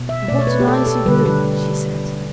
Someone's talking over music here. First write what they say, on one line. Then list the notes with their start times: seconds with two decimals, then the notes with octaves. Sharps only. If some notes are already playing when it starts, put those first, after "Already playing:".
'What an icy room!' she said.
Already playing: B2
0.09 E5
0.28 B2 A3 D5
0.39 C#5
0.47 B4
0.60 G4
0.68 A4
0.86 A4
1.06 D3 G3 B4
1.26 B4